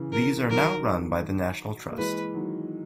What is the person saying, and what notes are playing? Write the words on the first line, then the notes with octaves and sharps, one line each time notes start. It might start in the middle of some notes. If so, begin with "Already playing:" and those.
These are now run by the National Trust.
Already playing: C#3 E3
A#4
D#3 F#3 A#4
A#3
E3 G#3 B4
D#3 F#3